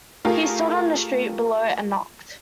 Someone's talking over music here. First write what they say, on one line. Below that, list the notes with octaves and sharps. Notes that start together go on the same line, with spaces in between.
He stood on the street below and knocked.
A3 F4 G4 G#4 A#4